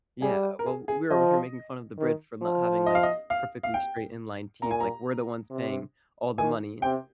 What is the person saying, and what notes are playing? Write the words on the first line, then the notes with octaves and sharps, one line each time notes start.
Yeah, well, we're over here making fun of the Brits for not having, like, perfectly straight inline teeth, like, we're the ones paying all the money
G3 G#4
A#4
G#4
G#4
F3 D#5
D#3
F3
D#5
F5
D#5
F5
F5
G5
A#2 A#5
G#5
A#5
C3
D#3 G#5
C3 G5